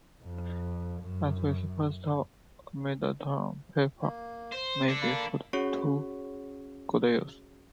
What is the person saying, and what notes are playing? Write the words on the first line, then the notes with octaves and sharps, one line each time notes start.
As with pastel, a mid-toned paper may be put to good use.
F2
F#2
A#3
C5
D4 A4 D6
A#3 B5
C#4 F#4 G#4 C#5 F#5 C#6